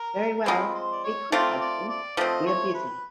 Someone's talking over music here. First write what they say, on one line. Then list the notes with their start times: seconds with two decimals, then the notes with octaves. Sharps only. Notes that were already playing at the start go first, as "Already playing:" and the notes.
Very well — be quick, Hudson; we are busy.
Already playing: A#4
0.46 F3 G#3 C4 B4
0.75 C5
0.92 D5
1.04 C#5
1.32 A3 C4 F4 D5
1.60 D5
1.89 D5
2.17 F3 A3 C4 D#5
2.46 C#5
2.74 B4